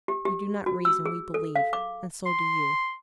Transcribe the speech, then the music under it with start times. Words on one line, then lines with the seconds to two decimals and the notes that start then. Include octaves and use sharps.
We do not reason--we believe; and so do you.
0.08 G4
0.25 G4
0.66 F#4
0.85 E6
1.06 G#4
1.34 A4
1.56 F5
1.73 D6
2.26 C6